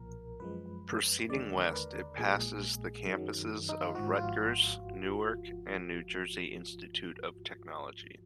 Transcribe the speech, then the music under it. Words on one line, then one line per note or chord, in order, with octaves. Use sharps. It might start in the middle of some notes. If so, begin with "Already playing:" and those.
Proceeding west, it passes the campuses of Rutgers-Newark and New Jersey Institute of Technology.
Already playing: B1 A#2 F3 A#4
F#2 F3 G#3 B4
D#2 D3 G#3 D5
A#4
B4
A#1 A#2 G#3 G#4
F#2 D#3 F#3
D#4
F4
G#1 G#2 F3 F#4
F4